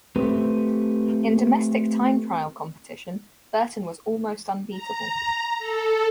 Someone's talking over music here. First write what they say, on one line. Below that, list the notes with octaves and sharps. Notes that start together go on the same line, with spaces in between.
In domestic time trial competition, Burton was almost unbeatable.
A3 C4 G4 B4
A#5
A4